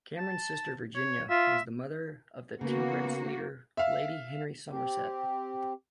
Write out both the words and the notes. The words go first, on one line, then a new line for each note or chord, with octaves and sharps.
Cameron's sister Virginia was the mother of the temperance leader Lady Henry Somerset.
A5
C#5
F4 E5
C#3 A#3 B3 F#4
E5 F5
C4 G4